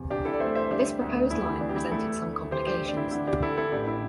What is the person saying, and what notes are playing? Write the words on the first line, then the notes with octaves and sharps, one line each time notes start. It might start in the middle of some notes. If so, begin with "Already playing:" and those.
This proposed line presented some complications.
Already playing: E2 C3
C2 D4 G4
E4 A4
D5
A3 C5 E5
C5 E5
G3 D4 G4
D2
E2 E4
G4
E4
E3 D4
G4
E4
A3 E4 A4
D2
E3 G4 C5
D4 G4
E3
D4
E4
D3 E4
D4 G4
D3 E4 A4
E4 A4
A1 D4 G4
E4